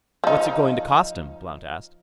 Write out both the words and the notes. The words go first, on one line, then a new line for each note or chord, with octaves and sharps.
"What's it going to cost him?" Blount asked.
F3 D#4